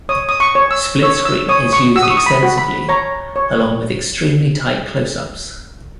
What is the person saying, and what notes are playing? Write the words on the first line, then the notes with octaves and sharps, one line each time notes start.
Split-screen is used extensively, along with extremely tight closeups.
C#5 D#6
D#6
C#6
C#5
E6
C#5 E6
E6
C#5 D#6
C#6
F#4 E6
D#6
C#6
D#6
B5
F#4
B5
C#5 A#5
C#5